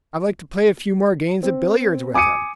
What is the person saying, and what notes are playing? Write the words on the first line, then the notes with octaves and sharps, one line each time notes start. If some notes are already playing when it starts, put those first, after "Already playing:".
I'd like to play a few more games at billiards with him.
C4
G#5 D6 D#6 C#7 D#7